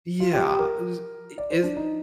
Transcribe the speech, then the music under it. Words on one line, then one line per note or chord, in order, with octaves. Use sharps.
Yeah, is i is
F4
G4
G4
A#4
D5
C5
D4
D#4